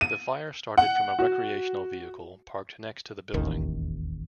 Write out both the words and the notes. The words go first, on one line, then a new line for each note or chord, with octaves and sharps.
The fire started from a recreational vehicle parked next to the building.
D#7
F#5
F#4
E1 A1 D#2 D#3